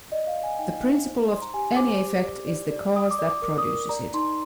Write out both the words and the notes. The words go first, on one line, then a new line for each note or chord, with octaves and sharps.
The principle of any effect is the cause that produces it.
D5 D#5
F5
D5
G#5
D#4 G5
D#4
C5
C5 C6
A#5
G4 G#5
C5 D6
G4
D5
D5
D5
D5 D#6
D6
D5
D6
A#4 D6
D#6
A#4
D5 A#5
D#4 C6